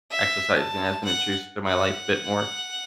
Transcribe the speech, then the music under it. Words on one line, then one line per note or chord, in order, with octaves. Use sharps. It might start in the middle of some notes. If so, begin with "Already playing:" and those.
Exercising has been introduced to my life a bit more
E5
A5
F#5
F#5